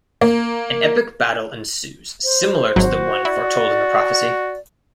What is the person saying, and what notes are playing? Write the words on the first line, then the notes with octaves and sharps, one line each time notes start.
An epic battle ensues similar to the one foretold in the prophecy.
A#3
C5
G#1 F#3 F#4
E4 D5